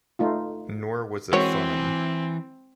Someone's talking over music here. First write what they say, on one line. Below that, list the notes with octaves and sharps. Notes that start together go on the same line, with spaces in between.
Nor was it fun.
A3 D#4 F4
E3 G#3 C4 F#4 A#4 C#5